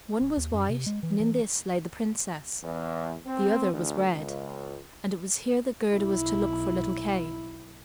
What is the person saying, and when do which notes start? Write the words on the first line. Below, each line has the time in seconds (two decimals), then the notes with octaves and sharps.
One was white, and in this lay the Princess; the other was red, and it was here that Gerda was to look for little Kay.
0.20 D1
0.37 D#2
0.54 F#2
0.69 C3
0.86 G#3
1.03 E3
1.20 E3
2.63 E2
3.27 C4
3.73 D2
4.14 C#2
5.95 B1 E4